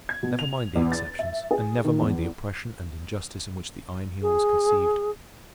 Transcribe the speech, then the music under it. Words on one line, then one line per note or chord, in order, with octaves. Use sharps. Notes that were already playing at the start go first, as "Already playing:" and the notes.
Never mind the exceptions, and never mind the oppression and injustice in which the Iron Heel was conceived.
G#6
B2
F7
E2
A6
E5
G#4
D#3
E2
G#4